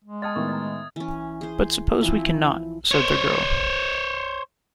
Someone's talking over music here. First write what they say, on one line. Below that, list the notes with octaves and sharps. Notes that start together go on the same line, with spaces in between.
But suppose we cannot? said the girl.
G#3
D#5 G5 A5 D#6 F6 G#6 A6
A2 D#3 B3 A#4 C#6
D#5 A#5
E3 C#4
G#4 C5
E3 F3 C4 E4
C5 C#5